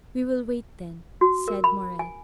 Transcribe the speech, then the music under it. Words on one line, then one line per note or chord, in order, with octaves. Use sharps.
"We will wait, then," said Morrel.
F#4
A#4
B5
G#5